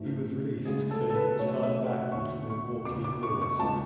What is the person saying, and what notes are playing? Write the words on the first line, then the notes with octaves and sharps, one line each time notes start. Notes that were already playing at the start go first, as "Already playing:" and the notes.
He was released so he could sign back with the Milwaukee Brewers.
Already playing: G#1 G#2 E3 A3
D2 C#3 G#3 G#4
A4
A4
B4
B1 B2 A3 C#5
E5
F#5
E1 D2 D3 C#6
C#6
E1 E2 C#3 D6
D6
C#6
C#6
C#2 C#3 G#3 A5